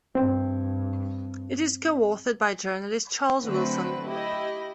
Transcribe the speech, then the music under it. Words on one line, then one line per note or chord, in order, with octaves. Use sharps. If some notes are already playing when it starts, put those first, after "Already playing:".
It is co-authored by journalist Charles Wilson.
G2 C4
D3 F#3 A3 C4 E4 B4
E4 G4 D#5